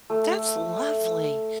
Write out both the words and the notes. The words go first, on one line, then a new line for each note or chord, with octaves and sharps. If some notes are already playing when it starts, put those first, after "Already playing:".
That's lovely.
A3